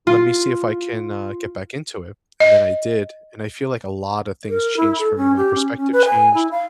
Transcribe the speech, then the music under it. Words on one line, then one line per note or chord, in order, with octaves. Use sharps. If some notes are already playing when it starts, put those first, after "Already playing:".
let me see if I can, uh, get back into it," and then I did, and I feel like a lot of things changed for me, my perspective changed,
F4
D#5
A#4
E4
A4
C#4
G4
C#4
C#4
B4
G#5
E4
F5